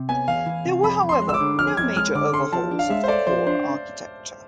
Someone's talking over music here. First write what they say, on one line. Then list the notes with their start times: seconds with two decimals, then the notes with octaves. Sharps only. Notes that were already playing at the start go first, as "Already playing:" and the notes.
There were, however, no major overhauls of the core architecture.
Already playing: C3
0.09 B3 G#5
0.28 E2 F5
0.46 E3
0.65 C3
0.83 F2 B5
1.03 F2
1.09 C6
1.22 G#3
1.29 E6
1.34 D6
1.40 D3
1.59 F2 F6
1.77 F2 G#6
1.96 G#3 F6
2.15 D3 D6
2.34 A4 C6
2.52 F3 A5
2.71 D4
2.79 F5
2.90 G#3 E5
3.04 C5
3.08 A4 D5
3.27 F3 C5
3.47 D4 C5